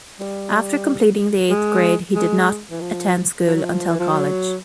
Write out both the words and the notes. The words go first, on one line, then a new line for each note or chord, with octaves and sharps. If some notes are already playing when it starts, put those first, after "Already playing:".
After completing the eighth grade, he did not attend school until college.
G3
G#3
G#3
E3
F3
F3
F#3
F3
E3
F3
F#3